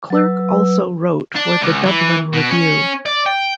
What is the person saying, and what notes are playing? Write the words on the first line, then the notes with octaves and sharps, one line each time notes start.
Clerke also wrote for the "Dublin Review".
F#3 B4 E6
D4
C#2
E3
B2
C#4
D5
G5